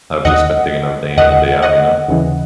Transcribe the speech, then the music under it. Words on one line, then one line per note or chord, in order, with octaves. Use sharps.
I've just been thinking of day in and day out, you know?
D#2 D#3 D#5 F#5
D#2 D#3 D#5 F#5
D#5 F#5
D#2 C#3 E3